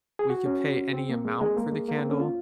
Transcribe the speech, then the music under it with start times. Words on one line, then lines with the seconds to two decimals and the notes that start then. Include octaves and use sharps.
we could pay any amount for the candle,
0.19 G#4
0.30 F#4
0.46 C#4
0.93 C4
1.10 A#3
1.25 G#3
1.41 G#3
1.57 A#3
1.72 G#3
1.88 A#3
1.98 C4
2.10 C#4
2.20 F4